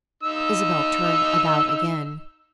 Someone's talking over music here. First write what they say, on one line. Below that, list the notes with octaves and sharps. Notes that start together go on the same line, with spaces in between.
Isabel turned about again.
D#4 E6